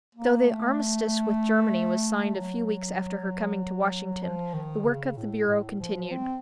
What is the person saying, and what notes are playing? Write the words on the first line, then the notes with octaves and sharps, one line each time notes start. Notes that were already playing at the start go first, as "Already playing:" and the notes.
Though the armistice with Germany was signed a few weeks after her coming to Washington, the work of the bureau continued.
A#3
A3
F#3
F3
D#3
C#3
A2
A2
F3
C4